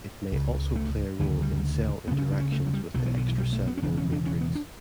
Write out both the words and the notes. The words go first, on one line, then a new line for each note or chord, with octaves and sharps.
It may also play a role in cell interactions with the extracellular matrix.
C#2 C#3
A3
D2 C#3 E3
G3
D2 C#3 B3
C#4
D4
C#4
A3
F#3
G3
B1 B2 F#3
E3
D3
E3
G3
A3
B3
C#4
E1 E2 C#3 D4
C#4
D4
C#4
B3
D4